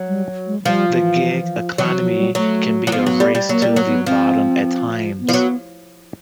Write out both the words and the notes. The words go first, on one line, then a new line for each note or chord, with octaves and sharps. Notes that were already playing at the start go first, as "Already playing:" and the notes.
The gig economy can be a race to the bottom at times.
Already playing: F#3
G3
G#3
F#3
F3 G3
E3
E3 F#3
F3
G3
F#3 A3
F#3
F3 B3
F#3
G3
G3
F#3 A#3
G3
A#3
F#3
B3
F3 C4
B3
F3
F#3